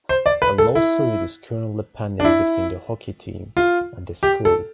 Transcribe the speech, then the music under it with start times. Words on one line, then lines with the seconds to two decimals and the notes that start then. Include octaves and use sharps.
A lawsuit is currently pending between the hockey team and the school.
0.09 C5
0.26 D5
0.42 B4
0.58 A4
0.75 E4
2.20 D4
2.24 E4
3.57 F4
4.23 G4
4.45 A4